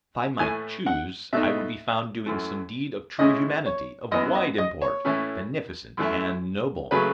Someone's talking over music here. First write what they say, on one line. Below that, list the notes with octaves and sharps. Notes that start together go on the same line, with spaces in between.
If I might choose, I would be found doing some deed of true humanity, of wide import, beneficent and noble.
A2 E3 A3 G#5
F#5
B2 A3 D#4 E5
F#2 E3 A3
A2 G#3 C#4 E4 D#5
C#5
F#2 E3 B3 D#5
D#5
D#5
C#5
A2 E3 A3 C#4 E4
F#2 E3 A3 E4
C#3 F#3 A3 C#4 B4